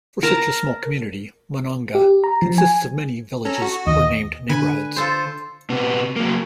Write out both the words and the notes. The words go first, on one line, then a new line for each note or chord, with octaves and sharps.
For such a small community, Monongah consists of many villages or named neighborhoods.
A#4 A5 A#5
G4
A#5
F3
G#5
C#4 A4 A#5
F#4
D#2 D#5
D3 B4 G#5
F4 A4 C5
C3 B3
F#3 A#3